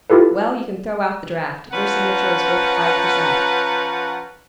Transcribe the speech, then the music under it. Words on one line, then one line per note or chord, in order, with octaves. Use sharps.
"Well, you can throw out the draft; their signature is worth five per cent."
E4 F4 G4 A4 B4
F3 C#4 B4 F#5 A#5